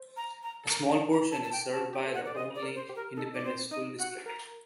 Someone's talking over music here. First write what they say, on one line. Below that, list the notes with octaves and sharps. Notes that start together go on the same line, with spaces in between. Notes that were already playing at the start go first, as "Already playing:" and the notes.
A small portion is served by the Olney Independent School District.
Already playing: C5
A#5
A#5
A4
A#4 A#5
A5
A#5
A5
A5
G5
A5
F#4
G4 G5
A4
F#5
A#4 D5
C5 D#5
D5
A#4
C5
G4
A#4
D#4 A4
D5
C4 C5
D#4 D#5
F#4 F#5
A#4 A#5